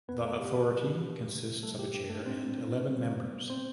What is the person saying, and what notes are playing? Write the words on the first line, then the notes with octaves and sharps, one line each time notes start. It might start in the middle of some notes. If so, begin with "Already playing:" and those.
The Authority consists of a Chair and eleven Members.
F2 B3 B4
A3 A4
C3 G4
G3
C3
C3
G3 A3 A4
G4
D4 G4
A3 A4
C4 D4 C5
C3
G3
B3
C4 C5